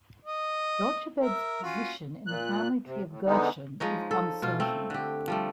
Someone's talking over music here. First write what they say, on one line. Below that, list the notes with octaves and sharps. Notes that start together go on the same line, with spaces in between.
Jochebed's position in the family tree of Gershon is uncertain.
D#5
A#4 E5
C#4 F4 F#4
A#2 F#6
C3
A2
D3 E3 G#3 B3 D#4
F3 G#3 D#4 C#5
A4
B2 F4
A3 C4
D3 G4
F3 G3 A3